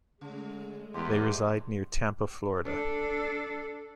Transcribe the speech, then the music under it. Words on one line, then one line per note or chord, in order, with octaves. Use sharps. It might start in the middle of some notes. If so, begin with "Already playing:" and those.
They reside near Tampa, Florida.
C#3 G#3 A3
E2 G4 D#5 C6
D4 A4